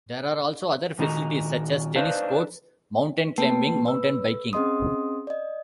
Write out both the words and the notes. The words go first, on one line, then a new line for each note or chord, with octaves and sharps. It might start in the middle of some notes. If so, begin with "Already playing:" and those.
There are also other facilities such as tennis courts, mountain climbing, mountain biking.
A#2 D#3 D#4 F#4 A#4
D4 D#4 B4 C5 F5
A3 A#3 B4 G5 A5 C7
B4 E6
C4 C#4 G#4 D#5 C6 D#6
D5 D#5